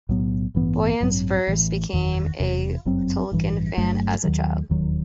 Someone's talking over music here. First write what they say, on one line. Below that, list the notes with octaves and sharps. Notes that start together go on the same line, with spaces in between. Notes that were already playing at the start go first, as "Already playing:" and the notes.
Boyens first became a Tolkien fan as a child.
B1 A2 F#3 B3
A1 G2 E3 B3
A1 G2 F#3 C4
A1 A2 E3
F#1 E2 D#3
E1 E2 C3
G1 F#2 F#3 C4
A1 G2 E3
G1 G2 F#3 A3
D#2 D#3 F#3
E1 D#2 D#3 F#3